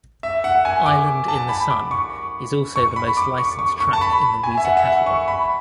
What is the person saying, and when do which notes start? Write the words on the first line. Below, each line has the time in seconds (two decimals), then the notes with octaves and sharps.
"Island in the Sun" is also the most-licensed track in the Weezer catalog.
0.23 E5
0.44 F#5
0.65 G#5
0.86 D6
1.28 A5
1.49 B5
1.70 D6
1.91 C#6
2.76 C#6
2.96 B5
3.17 D6
3.38 C#6
3.59 C#6
3.80 C#6
3.93 A5
4.01 B5
4.44 G#5
4.57 E5
4.65 F#5
4.77 E5
4.85 F#5
5.06 C#6
5.28 B5